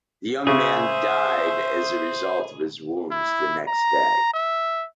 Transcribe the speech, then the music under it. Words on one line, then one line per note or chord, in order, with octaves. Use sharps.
The young man died as a result of his wounds the next day.
C#3 G#4 C5 E5
E4
A#5
E5